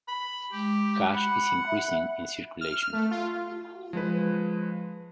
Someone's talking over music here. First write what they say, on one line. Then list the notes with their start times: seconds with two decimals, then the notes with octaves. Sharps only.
Cash is increasing in circulation.
0.08 B5
0.52 G#3 G4
1.13 F#5 B5
1.67 E5
2.61 F6
2.75 F6
2.93 A3
3.11 F4
3.93 F3 G#3 B4